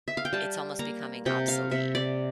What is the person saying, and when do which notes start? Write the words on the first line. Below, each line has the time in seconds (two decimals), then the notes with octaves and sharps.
it's almost becoming obsolete.
0.08 E5
0.17 F5
0.25 G5
0.33 G3 A5
0.79 A#3 A#5
1.26 C3 G5
1.48 F5
1.71 C3 E5
1.95 D5